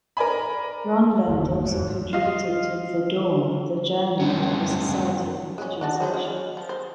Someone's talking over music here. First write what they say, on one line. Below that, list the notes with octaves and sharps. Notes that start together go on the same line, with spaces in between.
Gronlund also contributed to "The Dawn", the journal of the Society of Christian Socialists.
A#4 D5 G#5 B5
F#1 E2
F2 G#2 E3
F4 D#5
F#2 E3 G3 A3 C#4
G#3 C#4
D4 F#4 A5
D#4 G#4 C5
C#4
F3
C5